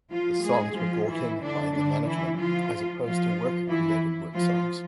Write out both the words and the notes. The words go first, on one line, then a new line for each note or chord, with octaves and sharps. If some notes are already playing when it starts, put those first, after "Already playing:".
The songs were brought in by the management, as opposed to worker-created work songs.
F3 F4
G#3 G#4
F3 F4
E3 E4
D3 D4
D3 D4
E3 E4
F3 F4
F3 F4
E3 E4
F3 F4